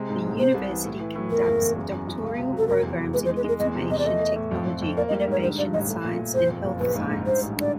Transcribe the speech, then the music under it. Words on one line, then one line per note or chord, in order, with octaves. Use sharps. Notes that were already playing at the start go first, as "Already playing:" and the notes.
The university conducts doctoral programmes in Information Technology, Innovation Science and Health Science.
Already playing: C3 G#3
G#2
A1
C3 C5
C2
E3
A2
E3
A2
E2 A#4
F#1
E2
F#2
F#2
F#2
C#2
C3
F#3
A4
F1 A#4
E2
E2
G#3 B4
C5
G#3
B4
G#3 A#4
E2 D#5
C3
E2 D#5
D5
A3 D#5
A3
A2
F2
F2
F2
A#3 D5
D#5
G3
D5
G#2 C#5
D3 C5
G2 D5
A1 D#5
A3
A#2
A#2
F#1 C5
F2
F#1
A#1 B4
G#2
G#2
G2 C5
A1
D3 D5